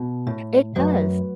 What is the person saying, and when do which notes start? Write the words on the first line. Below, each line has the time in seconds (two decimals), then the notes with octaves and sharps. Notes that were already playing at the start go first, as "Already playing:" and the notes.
It does.
Already playing: B2
0.27 A2
0.76 F#2 F#3 A3 F#4 B4